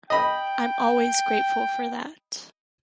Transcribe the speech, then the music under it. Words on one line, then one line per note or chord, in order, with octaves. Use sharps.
I’m always grateful for that.
D#5 G5 B5